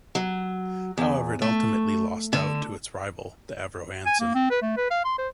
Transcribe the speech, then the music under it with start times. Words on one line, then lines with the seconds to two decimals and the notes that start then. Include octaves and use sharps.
However, it ultimately lost out to its rival, the Avro Anson.
0.15 F#3
0.98 E2
1.42 A3
2.33 D3
4.06 G#5
4.20 A#3
4.35 C4
4.51 B4
4.62 A3
4.77 B4
4.91 F5
5.05 C6
5.18 C5